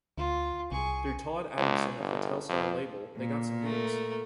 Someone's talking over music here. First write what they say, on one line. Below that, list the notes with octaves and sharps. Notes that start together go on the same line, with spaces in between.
Through Todd Adamson of the Telstar label they got some gigs.
D2 F4
C2 G#4 C#6
C#2
G1
F2
A#2
A3 A#4